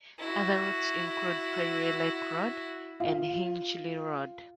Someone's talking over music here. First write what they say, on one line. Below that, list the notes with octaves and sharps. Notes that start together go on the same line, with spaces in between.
Other routes include Prairie Lake Road and Hingeley Road.
E4 F#4
F4